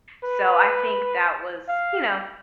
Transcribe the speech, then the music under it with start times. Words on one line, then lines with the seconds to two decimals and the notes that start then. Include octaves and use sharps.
so I think that was, you know,
0.24 B4
1.68 F5